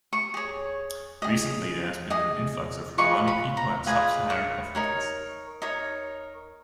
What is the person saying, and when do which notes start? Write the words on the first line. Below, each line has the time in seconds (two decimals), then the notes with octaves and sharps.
Recently, there has been an influx of Romani people and Sub-Saharan Africans.
0.13 C#6
0.34 G#4 C#5
1.22 G#4 D#5
2.10 G#4 D#5 D#6
2.98 F4 G#4 B4 D#5 C#6
3.28 B5
3.57 A#5
3.86 F4 G#4 B4 D#5 G#5
4.30 C#6
4.75 D#4 A#4 C#5
5.62 D#4 A#4 C#5